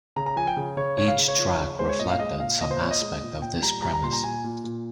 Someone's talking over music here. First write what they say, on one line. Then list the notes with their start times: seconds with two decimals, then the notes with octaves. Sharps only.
Each track reflected some aspect of this premise.
0.16 C#3 A#5
0.26 A#5
0.36 F3 G#5
0.47 G5
0.57 C#3
0.77 C#3 C#5
0.97 C#3 C#5
1.08 F5
1.18 C#3
1.28 C#5
1.38 F3
1.59 C#3
1.79 G#3 C5
1.89 C#5
1.99 A#2 D#5
2.10 F5
2.19 G#3 D#5
2.40 A#2 F5
2.60 A#2 D#5
2.71 C5
2.81 A#2 C#5
2.91 D#5
3.01 G#3
3.22 A#2
3.42 A#2 G5
3.62 G3 A#5
3.82 G3 A#5
3.93 A#5
4.02 A#2 C6
4.13 A#5
4.23 A#2 G#5
4.44 A#2
4.64 A#2